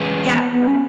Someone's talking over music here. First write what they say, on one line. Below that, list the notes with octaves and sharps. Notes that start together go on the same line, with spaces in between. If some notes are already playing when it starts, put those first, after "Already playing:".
yeah, go ahead.
Already playing: E3 G#3 C#4 G#4 B4
B3
B3
C#4